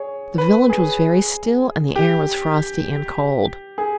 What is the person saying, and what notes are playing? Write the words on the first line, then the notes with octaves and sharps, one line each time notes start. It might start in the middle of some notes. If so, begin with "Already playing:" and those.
The village was very still, and the air was frosty and cold.
Already playing: G#4 C#5
B4
G#4
G4
G#4